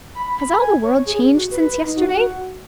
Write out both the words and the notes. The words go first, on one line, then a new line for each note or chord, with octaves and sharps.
Has all the world changed since yesterday?
B5
B5
G#5
C#5
G#4
F#4
B4
B4
D#4
F#4